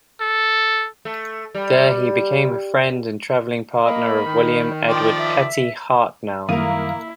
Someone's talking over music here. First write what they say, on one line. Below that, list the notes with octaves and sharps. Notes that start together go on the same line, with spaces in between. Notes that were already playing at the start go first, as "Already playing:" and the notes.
There he became a friend and traveling partner of William Edward Petty Hartnell.
A4
A3
G3
A#3 D#5 B5
D#3
F3 C5 D5 G5
E5
F#2 D#3 G3 A#3 E4 A#4 D#6